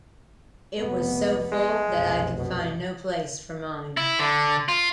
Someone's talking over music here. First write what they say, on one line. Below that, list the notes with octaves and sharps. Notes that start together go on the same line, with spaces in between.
It was so full that I could find no place for mine.
F1 C2 B3
G#3
F1 B1 F#2
B2
E4
D3
F4